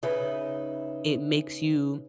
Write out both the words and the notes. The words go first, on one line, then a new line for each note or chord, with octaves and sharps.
it makes you
C#3 D#4 B4 E5